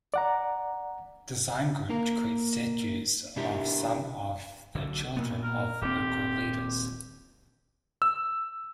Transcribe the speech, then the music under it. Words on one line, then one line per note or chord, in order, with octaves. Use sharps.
Design Group to create statues of some of the children of local leaders.
D5 F#5 A#5
A#3 A#4
B2 D4 E4 G4 A#4
B1 D3
A#2 B3
A#4
D#1 C4 G4
E6